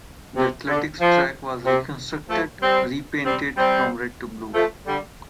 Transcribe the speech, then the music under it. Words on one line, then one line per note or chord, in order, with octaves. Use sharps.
The athletics track was reconstructed, repainted from red to blue.
C3
D3
F3
C3
F3 A3
G3 C4
G3 C4
G3 C4
F3 A3
D3 G3